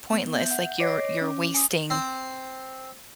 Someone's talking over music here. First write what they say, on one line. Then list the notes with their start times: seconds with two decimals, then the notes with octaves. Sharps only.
pointless. Like, you're you're wasting
0.12 B3
0.34 E5 G6
0.51 F#5
0.79 C#5 D#5 D6 A#6 C7 D7
1.21 C#4 D6
1.54 G#5 D#6
1.90 C4